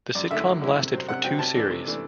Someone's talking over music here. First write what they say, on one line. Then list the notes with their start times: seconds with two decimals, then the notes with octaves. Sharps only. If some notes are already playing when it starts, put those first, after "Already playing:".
The sitcom lasted for two series.
0.15 F#2 D5
0.31 D3 A3 E4 E5
0.47 F#2
0.61 D3 A3 E4
0.77 C3
0.93 F#3 C4
1.09 C3 F#5
1.24 F#3 C4 G5
1.39 C3 A5
1.55 E3 A3 D4
1.70 C3
1.86 E3 A3 D4